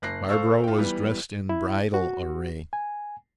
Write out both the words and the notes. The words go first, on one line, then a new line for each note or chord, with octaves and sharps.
Barbara was dressed in bridal array.
F#1 F#6 A#6 C7
A4 C5 F5 C#6 E6
F4 G5
E3 G3 B3
E4
F#4
G#5